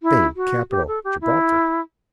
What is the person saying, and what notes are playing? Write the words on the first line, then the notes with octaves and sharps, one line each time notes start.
"Spain--capital, Gibraltar."
E4
F#4
G4
A4
G4
E4